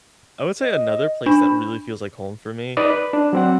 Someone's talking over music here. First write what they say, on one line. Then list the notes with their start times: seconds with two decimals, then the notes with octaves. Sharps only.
I would say another place that really feels like home for me,
0.62 D#5
1.26 D4 B5
2.77 D#4 B4 D5 D#6
2.90 B4
3.13 D4
3.33 F#3 C4 F#5